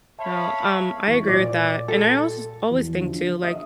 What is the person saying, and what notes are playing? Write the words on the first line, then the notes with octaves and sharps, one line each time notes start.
No, um, I agree with that, and I also s always think too, like,
C#5 E5 F5 A5 B5
A1 C#6
A#2 D5
A4
E2
D3 F3
D#5 E5 D#6